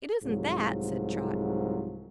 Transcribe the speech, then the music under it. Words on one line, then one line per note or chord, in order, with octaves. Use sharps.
"It isn't that," said Trot.
C2 G#2 F3 F#3